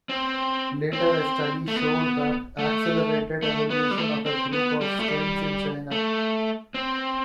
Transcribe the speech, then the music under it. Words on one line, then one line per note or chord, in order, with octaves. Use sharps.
Later a study showed that accelerated evolution of a group of strains in China.
C4
C4
A3
B3
A3
A3
B3
G3
A3
C4
B3
G3
A3
G3
A3
C4